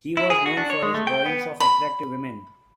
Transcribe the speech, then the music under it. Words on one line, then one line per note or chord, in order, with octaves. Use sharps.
He was known for his drawings of attractive women.
E4
G#4
F#4
D4
C#5
G#3
A3
G5
B3
B5